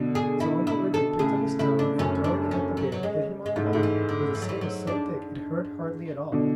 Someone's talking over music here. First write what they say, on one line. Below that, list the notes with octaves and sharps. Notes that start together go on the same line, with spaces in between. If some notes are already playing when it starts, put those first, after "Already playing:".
So Uncle Wiggily picked up a stone, and throwing it at the bear, hit him on the back, where the skin was so thick it hurt hardly at all.
Already playing: B2 D3
G#4
E4
E4
A4
A2 C#3 G#4
A2 C#3 E4
D4
F#2 C#4
D4
C#4
F#3
F#3
G#3
G#3
G#2 A3
A2
G#2 D3
E3
D3
E3
F#3
E3
F#3
D4
B2 D3